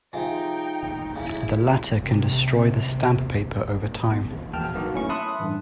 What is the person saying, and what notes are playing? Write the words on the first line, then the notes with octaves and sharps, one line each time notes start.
The latter can destroy the stamp paper over time.
C3 F3 G#3 D#4 G5
C#3 E4
C3
A#1 D#2
E2 B2 A#3 G5 A5 F6
F#3 A#3 B3 D#4 F#4
A3 C#4 E4 C#6
E5 A5 B5 C6 D#6 F#6
A1 G2